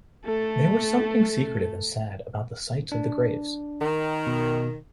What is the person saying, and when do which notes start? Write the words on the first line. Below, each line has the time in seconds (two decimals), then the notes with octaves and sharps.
There was something secretive and sad about the sites of the graves.
0.25 A3 A4
2.92 D4
3.82 D#3
4.27 B2